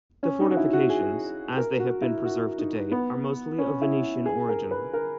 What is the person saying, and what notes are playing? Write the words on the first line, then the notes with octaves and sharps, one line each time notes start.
The fortifications, as they have been preserved to date, are mostly of Venetian origin.
C#4
D#4
F#4
E4
F#4
G#4
A#4
F#4
E4
F#4
D#4
B3
C#4
E4
G#4
A#4
B4
A#4